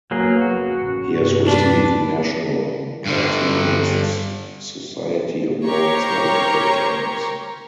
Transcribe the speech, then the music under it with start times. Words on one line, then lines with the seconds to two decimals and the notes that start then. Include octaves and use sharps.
He has received National Cartoonists Society awards multiple times.
0.11 F#1 F#3 A#3 B3 G#4
0.41 F#4
0.76 A1 C#3
1.10 G2 C3
1.46 E2 G3 D4 B4
3.06 G2 D3
5.64 G4 A#4 C5 C#5 A#5 C#6